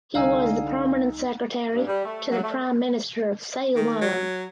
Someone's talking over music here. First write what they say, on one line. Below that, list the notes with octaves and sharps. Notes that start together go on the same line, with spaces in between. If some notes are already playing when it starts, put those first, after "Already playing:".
He was the Permanent Secretary to the Prime Minister of Ceylon.
C2 D3 D#4 F5 G#5 E6
G2
G3
A3
F#3
A3
D#3
F#3